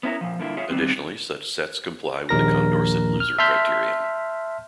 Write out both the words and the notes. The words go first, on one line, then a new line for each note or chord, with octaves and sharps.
Additionally, such sets comply with the Condorcet loser criterion.
B3 C#4 E4 G4 A#4
A#2 F3
G2 D3 A#3 E4 F4
F4 G#4 C#5 E5
D#3 G3 B3 C4
A#1 D#2 A#4 A#6
F6
E5 A5 C6 F6 G6 B6